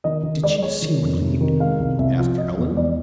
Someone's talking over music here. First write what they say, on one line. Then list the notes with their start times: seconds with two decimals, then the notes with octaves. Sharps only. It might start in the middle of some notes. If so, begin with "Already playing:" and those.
"Did she seem relieved?" asked Allan.
0.04 D#3 D#5
0.23 D#3
0.43 G#3 D5
0.62 G#3 C#5
0.82 D#3
1.02 F2
1.20 C3
1.41 D#3
1.60 G#3 F5
1.79 C2
1.99 C2 E5
2.18 F3
2.38 F3 D#5
2.57 E2
2.77 E2 D5